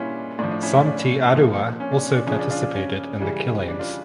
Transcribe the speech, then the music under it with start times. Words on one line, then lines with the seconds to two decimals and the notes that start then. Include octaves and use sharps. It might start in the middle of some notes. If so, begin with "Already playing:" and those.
Some Te Arawa also participated in the killings.
Already playing: A#2 G3 C#4 D4 E4 F4
0.39 A2 F3 D4
0.51 D4
0.62 C#4 E4
0.74 C#4
0.86 D4
1.33 A#2 F3
1.80 C#4
1.92 D4
2.03 C#4
2.16 D4
2.27 C#3 F3 C#4
2.39 D4
2.51 D4 F4
2.62 D4
2.74 C#4
3.20 C#3 E3 G3
3.68 D4
3.79 D4 F4